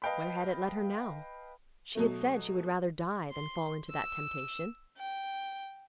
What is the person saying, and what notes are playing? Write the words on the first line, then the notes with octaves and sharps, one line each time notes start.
Where had it led her now? She had said she would rather die than fall into that temptation.
B4 D#5 F5 G5 A5 B5
B2 F#3 A3
C6
E6
G5